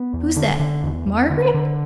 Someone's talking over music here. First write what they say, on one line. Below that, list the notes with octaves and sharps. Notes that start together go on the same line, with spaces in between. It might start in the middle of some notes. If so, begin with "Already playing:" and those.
Who's that,--Margaret?
Already playing: B3
E2
D3
D3
E2
E2
D3
D3